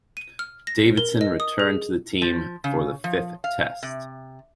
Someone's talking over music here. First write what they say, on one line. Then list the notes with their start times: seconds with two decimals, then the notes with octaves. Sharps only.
Davidson returned to the team for the Fifth Test.
0.17 D#7
0.39 F6
0.67 A#6
0.98 A#4
1.21 D#5
1.40 D#6
1.60 G#4
2.22 F3
2.64 C#3
3.04 F3
3.44 F5
3.83 C3